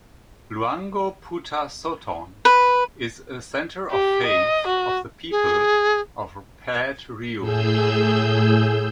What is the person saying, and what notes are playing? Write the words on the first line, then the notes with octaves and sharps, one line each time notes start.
"Luangpho Phuttha Sothon" is a centre of faith of the people of Paet Riu.
B4
G4
D#5
F#4
G#4
A2 G#4 E6 G6